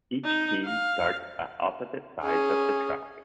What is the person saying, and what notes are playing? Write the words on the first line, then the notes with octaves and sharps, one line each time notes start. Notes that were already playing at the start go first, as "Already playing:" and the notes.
Each team starts at opposite sides of the track.
D#4
F5
C#4 G#4